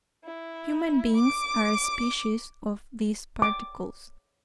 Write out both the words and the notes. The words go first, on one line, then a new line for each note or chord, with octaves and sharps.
Human beings are a species of these particles.
E4
D6
D6